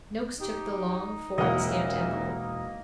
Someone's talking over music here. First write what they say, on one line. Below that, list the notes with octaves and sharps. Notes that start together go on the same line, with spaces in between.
Noakes took the long, foreign-stamped envelope.
D#4 G4
E1 A#2 C#3 A#3 A#4 D#5 E5 F#5